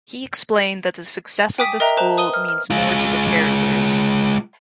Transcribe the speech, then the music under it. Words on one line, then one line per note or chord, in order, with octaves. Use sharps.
He explained that the success of the school means more to the characters.
G5 G#5 D6 D#6 B6
A#4 D#5 E5 G5 A#5 F#6
C5 A5 A#5 F#6
B4 D#6 D#7 G7
F6
F6
G#3 F4